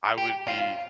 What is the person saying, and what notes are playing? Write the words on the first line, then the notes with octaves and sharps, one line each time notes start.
I would be
G4
F4